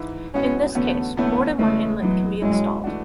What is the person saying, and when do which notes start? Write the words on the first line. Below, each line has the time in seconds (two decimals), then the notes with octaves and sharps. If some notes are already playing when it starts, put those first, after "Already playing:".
In this case, more than one inlet can be installed.
Already playing: G#2 E3 E4
0.33 A2 G#3 B3 C#4 F#4
0.75 E2 D3 A3 B3 C#4 F#4
1.17 E2 D3 A3 B3 C#4 E4
1.59 C#3 E3 G#3 A3 C#4
2.00 E3 F#3 G#3 B3
2.42 A2 F#3 G#3 C#4 E4
2.84 E3 A3 D4 F#4